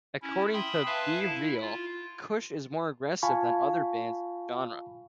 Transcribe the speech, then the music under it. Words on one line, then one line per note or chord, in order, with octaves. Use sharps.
According to B-Real, Kush is more aggressive than other bands in the genre.
C#4 E4
E5 G5 B5 C6 D#6
B4 E5 F5 G#5 A5
E4
F4
F4 F5 G#5 A5 B5 C#6